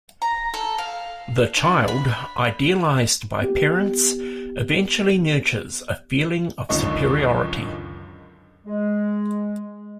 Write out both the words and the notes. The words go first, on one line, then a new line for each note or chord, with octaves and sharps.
The child, idealized by parents, eventually nurtures a feeling of superiority.
A#5
A4
F5
D4
B5
B3 G4
C#2 F#2 D3 D#3 D#5 C#6
G#3